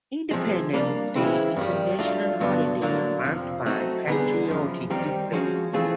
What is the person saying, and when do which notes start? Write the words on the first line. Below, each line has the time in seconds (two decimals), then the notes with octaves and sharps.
Independence Day is a national holiday marked by patriotic displays.
0.31 C3 F3 G#3
0.73 G3 A#3 D4
1.15 C#3 E3 G#3 C4 E4
1.57 G2 D#3 G3
1.99 F#3 A3 D4 F4
2.40 G2 D3 F#3 B3 D4
2.82 D3 F#3 A#3 D4
3.24 F2 C3 F3
3.66 F#3 A3 C4 D#4 F#4
4.07 D3 G3 B3 D#4 G#4
4.49 F#2 C#3 F3
4.90 D#3 G3 C4 D#4 G4
5.32 F3 G#3 C#4 F#4
5.73 E3 A3 C4 F4 G#4